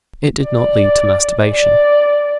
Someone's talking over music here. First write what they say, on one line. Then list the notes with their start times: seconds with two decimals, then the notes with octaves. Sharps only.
It did not lead to masturbation.
0.45 D5
1.47 D5